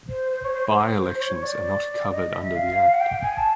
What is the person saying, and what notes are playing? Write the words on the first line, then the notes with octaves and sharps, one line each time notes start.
By-elections are not covered under the act.
C5
C5
C#5
C5
C#5
C5
C#5
D5
D#5
E5
F5
F#5
G5
G#5
A5